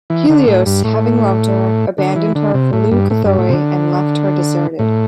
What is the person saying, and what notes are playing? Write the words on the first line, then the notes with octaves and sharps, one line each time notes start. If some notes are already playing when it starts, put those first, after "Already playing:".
Helios, having loved her, abandoned her for Leucothoe and left her deserted.
E3
D3
A2
G2
A2
D3
E3
D3
C3
A2
G2
A2
G2
A2
C3
D3
A2